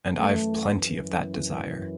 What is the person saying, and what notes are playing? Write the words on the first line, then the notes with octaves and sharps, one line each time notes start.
And I've plenty of that desire.
F#2 E3 A3